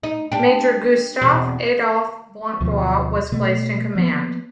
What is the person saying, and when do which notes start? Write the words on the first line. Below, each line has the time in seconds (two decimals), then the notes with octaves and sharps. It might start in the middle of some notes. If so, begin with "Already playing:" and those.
Major Gustav-Adolf Blancbois was placed in command.
0.03 D#4
0.32 D4 G4
1.21 E2 B2 C4
2.61 D2 B2 F3
3.32 B2 A3
3.95 F3 A#3 B3